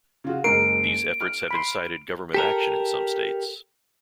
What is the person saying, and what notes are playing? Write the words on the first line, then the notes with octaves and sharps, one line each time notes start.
These efforts have incited government action in some states.
C#3 F4 F#4
F#1 G#3 A#4 C7 D7
F6
B5 C6
G4 A4 A#4